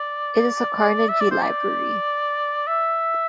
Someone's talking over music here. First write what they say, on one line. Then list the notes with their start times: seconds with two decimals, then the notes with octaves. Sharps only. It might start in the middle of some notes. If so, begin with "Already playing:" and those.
It is a Carnegie Library.
Already playing: D5
1.08 E5
1.21 D5
1.31 C5
1.43 D5
2.67 E5